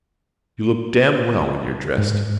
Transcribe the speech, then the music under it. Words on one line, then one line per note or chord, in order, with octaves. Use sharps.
You look damn well when you're dressed.
G#2